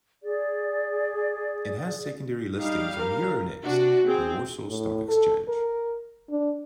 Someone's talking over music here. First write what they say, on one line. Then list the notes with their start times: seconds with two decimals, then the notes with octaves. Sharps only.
It has secondary listings on Euronext and Warsaw Stock Exchange.
0.23 G#4 D5
2.56 G3 D#4 F5
2.97 A#4
3.62 C3 D4 F#4
4.06 C4 G#4
4.68 A2
5.08 A4
5.48 A#4
6.30 D4